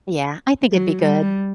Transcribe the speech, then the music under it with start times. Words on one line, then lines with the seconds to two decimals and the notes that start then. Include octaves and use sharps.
Yeah, I think it'd be good.
0.72 F#3
1.03 G3